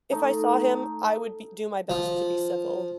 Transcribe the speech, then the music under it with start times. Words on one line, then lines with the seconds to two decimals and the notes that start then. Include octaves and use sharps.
If I saw him, I would be do my best to be civil,
0.12 A3 D#4
1.90 F3